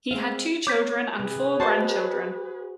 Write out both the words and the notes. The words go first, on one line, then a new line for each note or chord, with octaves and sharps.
He had two children and four grandchildren.
G#3 C4 F5
B3 C#5 D6 G6 B6
C3 G#4 B4
F#4 C5 D#5 A5